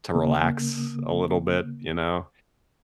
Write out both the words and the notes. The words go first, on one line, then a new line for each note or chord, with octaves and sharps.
to relax a little bit, you know?
C#3 A#3